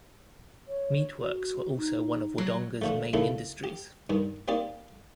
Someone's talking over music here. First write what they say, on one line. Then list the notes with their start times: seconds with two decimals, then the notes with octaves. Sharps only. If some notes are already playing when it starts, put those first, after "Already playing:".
Meatworks were also one of Wodonga's main industries.
0.68 C#5
1.18 F#4
1.77 D#4
2.38 F#3
2.82 D3 F3 A3
3.13 C#3 F3 A#3 D#4 E4 A4
3.64 G4
4.10 G2 D#3
4.48 A#3 C4 D#4 G4 D5